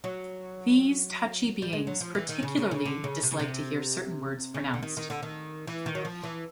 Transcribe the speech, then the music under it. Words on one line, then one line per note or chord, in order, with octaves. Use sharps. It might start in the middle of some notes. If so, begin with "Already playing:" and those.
These touchy beings particularly dislike to hear certain words pronounced.
F#3
G3
G#3
F#3
F3
E3
D#3
C#3
C#3
C#3
D3
C#3
C3
C#3
C3
C#3
D3
D#3
D#3
D3
D#3
E3
D#3
F#3
F3
E3